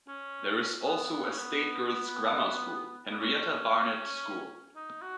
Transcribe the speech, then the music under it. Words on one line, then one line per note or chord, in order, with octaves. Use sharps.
There is also a state girls' grammar school, Henrietta Barnett School.
C#4
B3
B3
C#4
B3
B3
C#4
D#4
F#4